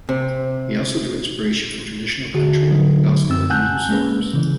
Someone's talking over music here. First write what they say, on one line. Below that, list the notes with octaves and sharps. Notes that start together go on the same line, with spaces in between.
He also drew inspiration from traditional country, gospel, and blues forms.
C3
D3 F#4 G#4
D3 F3 F#3 D#4
F#2 C4 E6
F#5 G#5 A5 E6 F#6 G6
G#3 A#3 C#4 G#4 B4
C#3 E3